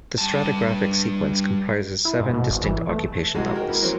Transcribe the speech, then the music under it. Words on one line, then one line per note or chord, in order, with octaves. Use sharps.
The stratigraphic sequence comprises seven distinct occupation levels.
G2 A5
E4
G#2
B2
G#1
E3
A3
G#2 C3 E3 G#3 D#4 F#4
F#4 A#4 G5
A#3 B3 E4
E3 F#3 A#3 C4